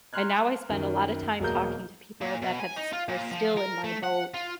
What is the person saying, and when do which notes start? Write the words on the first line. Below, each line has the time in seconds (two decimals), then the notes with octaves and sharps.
And now I spend a lotta time talking to people that have s are still in my boat
0.13 A#5 C6 F6 F#6 G#6
0.69 F#2 D#3
1.40 E1 F#3 A#3 G#4 A#5 G6
2.21 A#2
2.42 B2
2.60 G#5
2.77 D#4
2.93 F4
3.09 A#2
3.31 F3
3.57 A#4
3.84 A3
4.04 F#5
4.34 F4